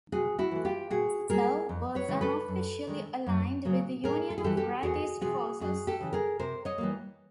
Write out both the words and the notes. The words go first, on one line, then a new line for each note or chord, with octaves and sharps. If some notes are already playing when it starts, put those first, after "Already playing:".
Titov was unofficially aligned with the Union of Rightist Forces.
C3 F#4 G#4
E4 F#4
E3 A3
F4 G4
A#2 F#4 G#4
G3 A#3 G#4 A#4
F2
B4 C#5
C#3 E3 G#3
A4 B4
F#2
D#3 G#3
F#2
C#3 F#3 A#3
A2 G#4 A#4
A4
G#4
E3 G3 G4 A4
G4 A4
E2 F#4 G#4
C3 F3 F#4 G#4
F#2 F#4 G#4
G4 A4
C#3 E3
G#4 A#4
C3 A#4 C5
C#5 D#5
E3 G3 A#3